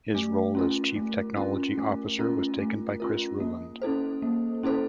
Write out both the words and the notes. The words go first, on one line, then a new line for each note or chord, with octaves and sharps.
His role as Chief Technology Officer was taken by Chris Rouland.
A3
C#4 F4 A#4
A3
C#4 F4 A#4
A3
C#4 F4 A#4
A3
C#4 F4 A#4
A#3
C#4 E4 A4 C5
A#3
C#4 E4 A4 C5